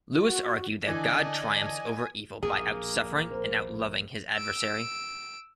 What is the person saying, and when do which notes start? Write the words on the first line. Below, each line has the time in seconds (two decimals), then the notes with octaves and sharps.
Lewis argued that God triumphs over evil by outsuffering and outloving his adversary.
0.14 F#4
0.88 D3 E3 D5 D#5 G#5 A5
2.43 A#1 D#2 B2 A#3 G#4
3.31 A#4 C5
4.34 E6 D7